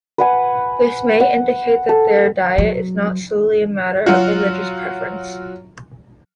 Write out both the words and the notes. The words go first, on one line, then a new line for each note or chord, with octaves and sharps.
This may indicate that their diet is not solely a matter of religious preference.
B4 F#5 G#5
F#5
A4
F#3
F#3 F4 F#4